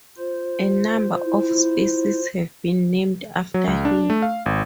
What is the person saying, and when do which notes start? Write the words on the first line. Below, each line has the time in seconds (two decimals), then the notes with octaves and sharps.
A number of species have been named after him.
0.17 F4 C5
1.24 E4
3.54 F#3
3.67 C#2
3.85 D4
4.10 A3
4.22 F5
4.46 G#1